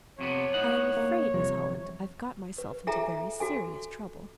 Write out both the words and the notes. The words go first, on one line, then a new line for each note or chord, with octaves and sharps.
"I am afraid, Miss Holland, I've got myself into very serious trouble."
F2 C3 B3 C#5
A2 D#4 F#5
A#3
E2 C3 F3 G3
B4
F4 G#4 A4 E5 G#5 A#5
F#4 A4 G#5